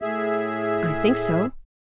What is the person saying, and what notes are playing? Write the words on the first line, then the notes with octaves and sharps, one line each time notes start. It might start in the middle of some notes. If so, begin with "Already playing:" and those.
"I think so."
A2 G#4 E5